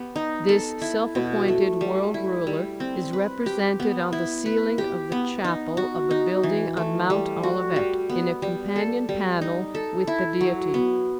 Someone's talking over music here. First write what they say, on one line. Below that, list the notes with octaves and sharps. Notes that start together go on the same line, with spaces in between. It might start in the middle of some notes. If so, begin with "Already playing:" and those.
This self-appointed world ruler is represented on the ceiling of the chapel of a building on Mount Olivet in a companion panel with the Deity.
Already playing: B3 G4
D#4
A4
E4
B2
A3
G3
E4
G3
C4
B4
G4
B3
E4
B4
G4
B3
D#4
F#4
D#4
E3
A3
G3
F#4
G3
B3
G3
A4
G3
D#4
A4
E4
F#3
B3